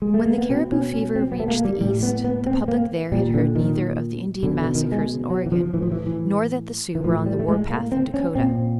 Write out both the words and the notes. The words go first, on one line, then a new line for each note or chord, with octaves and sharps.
When the Cariboo fever reached the East, the public there had heard neither of the Indian massacres in Oregon nor that the Sioux were on the war-path in Dakota.
G#3
A3
A#3
B3
B2 C4
C#4
C#4
C4
B3
A3
A#3
G3
A2 G3
B3
B3
C4
A#3
A#2 G3
D3
D#3
B2 D3
D3
D#3
G#3
F#3
E3
F3
A2 E3
F3
E3
E3
E3
A2 F3
G3
A3
G#3
A#3
C4
C#4
A#2 C4